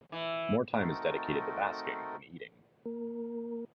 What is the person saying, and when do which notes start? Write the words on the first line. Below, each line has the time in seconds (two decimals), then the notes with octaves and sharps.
More time is dedicated to basking than eating.
0.12 E3
0.80 A3 C4 D#4 F#4 A4 A#4
2.86 A#3 A#4